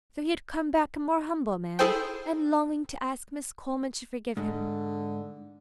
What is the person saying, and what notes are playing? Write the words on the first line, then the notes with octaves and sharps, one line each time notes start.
So he had come back a more humble man, and longing to ask Miss Coleman to forgive him.
E4 G#4 A4 C5 G5
G#2 D3